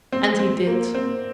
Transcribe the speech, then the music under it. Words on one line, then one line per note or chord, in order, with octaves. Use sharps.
And he did.
C4
C4
A#3
C4